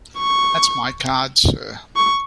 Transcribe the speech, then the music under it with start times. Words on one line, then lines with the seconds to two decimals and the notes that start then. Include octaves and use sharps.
That’s my card, sir.
0.18 C#6
1.96 C#6